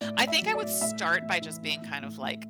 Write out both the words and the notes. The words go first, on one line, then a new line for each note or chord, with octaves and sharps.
I think I would start by just being kind of, like,
A2 D5
A2
E5
F#3
D5
A2
A2 E5
E3
A2
E3
A2
A2
A2
A2